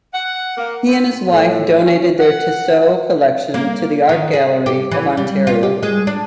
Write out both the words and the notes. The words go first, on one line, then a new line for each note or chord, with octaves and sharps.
He and his wife donated their Tissot collection to the Art Gallery of Ontario.
F#5
A#3
C4
A2
C#4
F#5
A#3
D#3
G#4
G4
E3
G3
F4
G4
G#3
D4